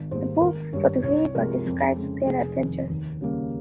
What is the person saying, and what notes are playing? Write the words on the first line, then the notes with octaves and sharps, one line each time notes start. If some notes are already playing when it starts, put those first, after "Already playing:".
The book, "Fatu Hiva", describes their adventures.
Already playing: G#1
G#2 G3 A#3 C5
G#1 A#4
G2 G3 C#5
C2 C#5
C3 F3 G#3 A#4
F2
C#3 G#3
F1 G#4
F2 D#3
D#2
C#3 G3 A#3